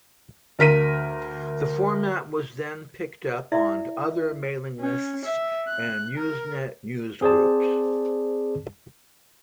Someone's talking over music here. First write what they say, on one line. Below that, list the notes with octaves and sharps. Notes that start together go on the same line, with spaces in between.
The format was then picked up on other mailing lists and Usenet news groups.
D2 A#4 B6 D#7
E4 D5 E5
C#4
E5
F#6
A#4
C4 G#4 C5 D5 A5